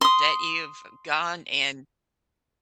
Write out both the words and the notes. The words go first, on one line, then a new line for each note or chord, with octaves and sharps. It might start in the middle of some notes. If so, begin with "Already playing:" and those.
that you've gone and,
C6 D#6